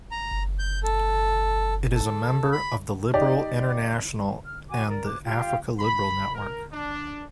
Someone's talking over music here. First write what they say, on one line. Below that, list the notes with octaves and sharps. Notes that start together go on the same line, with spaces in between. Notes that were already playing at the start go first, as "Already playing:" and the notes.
It is a member of the Liberal International and the Africa Liberal Network.
A#5
G6
A4
A4
B5
D#4 G4 D5
F6
F#4 G#5 D6
A#4 D5
D6 F#6
F4 G4 F5 G5
B5
A#4
D4